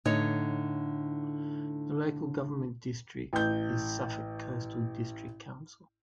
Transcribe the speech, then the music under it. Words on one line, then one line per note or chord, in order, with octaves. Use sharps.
The local government district is Suffolk Coastal District Council.
A2 D3 D#4 C#5
A1 G6